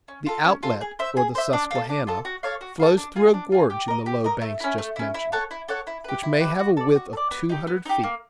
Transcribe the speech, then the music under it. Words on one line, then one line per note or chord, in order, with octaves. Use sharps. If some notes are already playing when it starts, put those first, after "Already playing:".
The outlet, or the Susquehanna, flows through a gorge in the low banks just mentioned, which may have a width of two hundred feet.
C#4
F4 A4
C#4
F4 A4
G#4
C5 E5
G#4
C5 E5
D4
F4 A4
D4
F4 A4
F#4
A4 C#5 F5
F#4
A4 C#5 F5
D4
F4 G#4
D4
F4 G#4
G4
A#4 D#5
G4
A#4 D#5
A3
C#4 E4
A3
C#4 E4
E4
A4 C#5 F#5
E4
A4 C#5 F#5
E4
G4 B4
E4
G4 B4
F#4
A4 D5
F#4
A4
D5
B3
D#4 G4
B3
D#4 G4
A#3